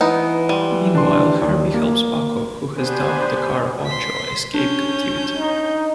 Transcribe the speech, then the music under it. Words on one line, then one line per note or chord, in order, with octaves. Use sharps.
Meanwhile, Herbie helps Paco, who has dubbed the car 'Ocho', escape captivity.
E3 B3 D#4
G3 C6 D#7
D4 C6
D#2 D5
A#3
B3 D4 G4 B4 C5 G#5
C6 B6
C#4 D4 G6
D#4